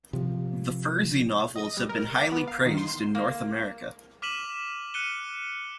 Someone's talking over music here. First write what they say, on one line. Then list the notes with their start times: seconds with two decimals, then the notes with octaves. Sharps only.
The Fursey novels have been highly praised in North America.
0.13 C3 F3
1.56 D#5
1.77 G3
1.89 A#4
2.18 D6
2.32 B3
2.48 F5
2.66 D#3
2.77 C6
3.15 A#3
4.22 D6 F6 B6 D#7 E7 F#7
4.94 F6 F#6 C#7 D#7 G7